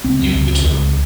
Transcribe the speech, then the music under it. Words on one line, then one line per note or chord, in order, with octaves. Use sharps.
You too.
C#2 C4
C#2
C#2